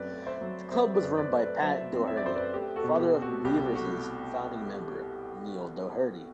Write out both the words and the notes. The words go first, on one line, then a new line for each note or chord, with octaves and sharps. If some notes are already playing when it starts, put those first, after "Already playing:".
The Club was run by Pat Doherty, father of Weavers' founding member Neil Doherty.
Already playing: F#2 F#3 A3 C4 B4 D5
A3
C5 E5
F#3
C4 C5 E5
B4 D5
F#2
B4 D5
A3
B4 D5
F#3 C5 E5
C4
E5
D5
F#2 C5
B4 D5
A3 G4
F#4 A4
B2
G4
C4
F#4
C2 G4
A3 F#4